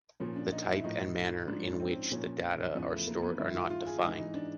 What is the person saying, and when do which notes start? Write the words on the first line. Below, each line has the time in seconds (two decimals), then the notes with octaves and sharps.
The type and manner in which the data are stored are not defined.
0.20 A#2 F3 C#4
0.36 D4
0.52 D#4
0.68 E4
0.84 A2 F3 D#4
1.47 G#2 F3 D4
1.63 C#4
1.80 C4
2.12 A#2 F3 C#4
2.75 E2 C#3 F3 B3
2.91 A3
3.07 A#3
3.22 B3
3.39 G2 D#3 E4
3.55 F4
3.70 F4
3.87 G#4
4.02 G#2 E3 D#4
4.18 D#4
4.34 D4